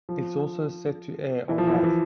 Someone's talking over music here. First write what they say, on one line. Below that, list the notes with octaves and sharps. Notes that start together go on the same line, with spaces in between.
It's also set to air on Laff.
F3
E3
F3
E3
F3
E3